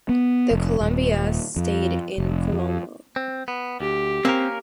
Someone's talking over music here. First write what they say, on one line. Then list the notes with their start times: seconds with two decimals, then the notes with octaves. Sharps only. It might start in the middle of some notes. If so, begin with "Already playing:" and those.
The Colombia stayed in Colombo.
0.09 B3
0.51 F1
0.81 D#1
1.57 F2
2.18 F1
2.52 F2
3.16 C4
3.48 B3
3.80 D2 G4
4.25 A#3 C4 C#4 A#4